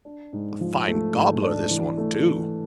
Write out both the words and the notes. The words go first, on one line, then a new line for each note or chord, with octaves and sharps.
"A fine gobbler this one, too!"
D4
G#2
F3
A3
G#2
D4
E3
A3
E3